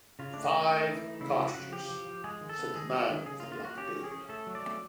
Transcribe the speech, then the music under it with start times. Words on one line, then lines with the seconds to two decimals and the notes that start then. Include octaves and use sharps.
"Five cartridges," said the man with the black beard.
0.19 C#3 F4
0.34 A3 D4
0.45 D#4
0.53 C#4
0.63 E4
0.70 A3 D#4
0.87 E3
1.04 A3
1.21 C#3 E4
1.39 F3
1.47 F#4
1.55 C#3
1.72 F3 G4
1.90 F3
2.07 F3
2.24 G#3 G#4
2.41 D#3
2.49 A4
2.59 B3
2.75 D#3 G#4
2.93 B3
3.10 D#3
3.26 C#3 G#4
3.40 F4
3.43 A#3
3.52 F4
3.60 A#3 F#4
3.77 C#4 G4
3.95 C#4
4.04 G#4
4.11 C#4
4.29 A3 A4
4.47 F#3
4.55 D5
4.63 A3